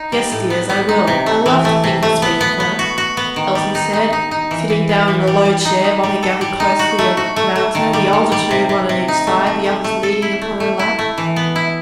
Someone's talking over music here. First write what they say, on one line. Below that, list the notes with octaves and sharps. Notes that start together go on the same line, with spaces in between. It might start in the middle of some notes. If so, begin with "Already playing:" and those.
"Yes, dears, I will: I love to think and speak of her," Elsie said, sitting down in a low chair while they gathered closely round her, the older two, one on each side, the others leaning upon her lap.
Already playing: D#4
G3
A2
B3
B3
D#4
C3
A3
E3
A3
C3
A3
B3
B3
B3
F#4
F#4
B3
D#3
G3
D#4
D#4
D#4
D#4
E3
E3
B3
E3
G3
G3
D#4
D#4
G3
A4
G3
D#4
F#4
A3
F#4
A3
A3
D#3
G3
D#3
G3
C3
C3
C3
D#4
A3
A3
A3
A3
A4
E4
A3
A3
E4
A3
E3
B3
E4